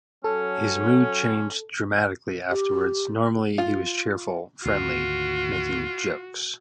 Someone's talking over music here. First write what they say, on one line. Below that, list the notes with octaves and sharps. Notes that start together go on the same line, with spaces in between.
His mood changed dramatically afterwards - normally he was cheerful, friendly, making jokes.
F#3 C#4 A4
G4
F4
D2 G#2 D#3 F4 F#4